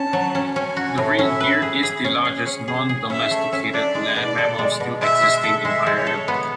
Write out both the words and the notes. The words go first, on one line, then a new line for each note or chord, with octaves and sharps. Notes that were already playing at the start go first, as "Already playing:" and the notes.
The red deer is the largest non-domesticated land mammal still existing in Ireland.
Already playing: C#4 A5
F#3
C#4
C#4 G#5
F#4
A2
C#4 E5
B4
G#4
G#4
C#4
G#4
C#4
G#4
G#4
C#4 E5
A3
C#4
D4 D5
G#3
B2
A4
G#3
B2
G#3 E5
G#3
A4
G#3 E5
G#3
C#5
A4
B3